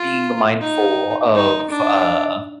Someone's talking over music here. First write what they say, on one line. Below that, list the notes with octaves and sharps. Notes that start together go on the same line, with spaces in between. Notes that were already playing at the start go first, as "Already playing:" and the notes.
being mindful of uh
Already playing: F4
D#4
D#4
D4